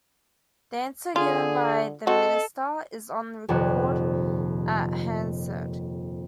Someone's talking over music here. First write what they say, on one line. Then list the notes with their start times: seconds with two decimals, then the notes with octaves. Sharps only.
The answer given by the Minister is on record at Hansard.
1.16 D3 F4 G#4
2.07 C4 F#4 A4 D#5
3.48 D#1 F2 C3 F#5